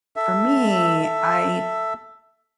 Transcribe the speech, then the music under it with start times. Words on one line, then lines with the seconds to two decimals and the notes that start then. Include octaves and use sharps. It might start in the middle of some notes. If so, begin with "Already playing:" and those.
for me, I
0.16 A4 E5